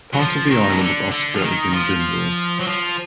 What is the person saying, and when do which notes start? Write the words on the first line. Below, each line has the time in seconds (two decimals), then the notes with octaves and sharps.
Part of the island of Austra is in Bindal.
0.14 F#3
0.19 F3
0.50 D#3
0.71 B2
0.80 D3
1.11 D3
1.35 F3
1.42 D#3
1.73 F3
2.60 F#3
2.67 F3